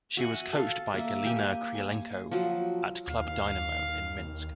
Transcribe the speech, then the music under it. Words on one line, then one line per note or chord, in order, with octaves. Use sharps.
She was coached by Galina Krylenko at Club Dynamo in Minsk.
F#4 E5 F#5 G#5
A4 F5
A#3 E5
G4 G5 G#5
G#5
F3 F#3
D#2 F5